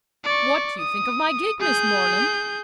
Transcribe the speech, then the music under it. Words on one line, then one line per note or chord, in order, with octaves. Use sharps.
What do you think of my gig, Miss Morland?
D5 C#6
D#6
G#4 G6